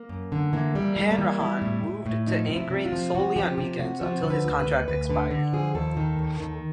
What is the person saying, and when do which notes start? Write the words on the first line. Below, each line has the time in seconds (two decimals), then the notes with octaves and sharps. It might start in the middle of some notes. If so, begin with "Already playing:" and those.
Hanrahan moved to anchoring solely on weekends until his contract expired.
Already playing: A#3
0.09 F#2
0.32 D3
0.53 E3 A#3
0.75 G3
0.82 A#3
0.96 G3
1.11 A#3
1.18 E3
1.40 G3 E4
1.62 A2
1.84 A2
2.06 A2
2.27 F3 D#4
2.49 C3
2.56 E4
2.70 C3
2.86 F4
2.93 F3
3.15 C3 F#4
3.36 F3 G4
3.58 C3 G4
3.79 C3 F#4
4.01 F3 F#4
4.23 D3
4.30 B4
4.45 D2
4.59 B4
4.66 D2
4.88 D2 B4
5.09 D3 B4
5.31 D3
5.53 F3 G#4
5.75 D#2 A4
5.97 D#3
6.19 D#2
6.40 D#3